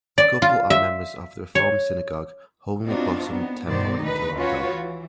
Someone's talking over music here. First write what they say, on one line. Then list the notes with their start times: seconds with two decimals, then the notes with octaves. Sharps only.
The couple are members of the Reform synagogue, Holy Blossom Temple in Toronto.
0.18 D5
0.42 F4
0.70 E5
1.55 C#5
2.86 B3 C4 D4 D#4 F4 F#4
3.29 B3 C4
3.67 G2 B2 D#3 B3 C5 D5
3.99 D2 D#4 B4
4.35 C#4 F4 F#4 B4 C#5
4.71 E3